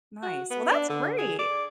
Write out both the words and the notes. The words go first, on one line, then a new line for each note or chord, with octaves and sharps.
Nice. Well, that's great.
F#4
B3
D4
D3
G#4
D5